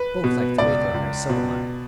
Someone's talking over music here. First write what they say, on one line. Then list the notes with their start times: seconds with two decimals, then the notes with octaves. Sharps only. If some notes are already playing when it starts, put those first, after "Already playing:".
Both liked to wait on her so much.
Already playing: B4
0.24 B2
0.58 C#2 D5
0.94 C#2
1.29 B2